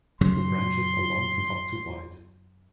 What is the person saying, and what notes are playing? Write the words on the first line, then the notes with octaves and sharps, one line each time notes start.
The branches are long and up to wide.
F#2 C#3 F#3 C6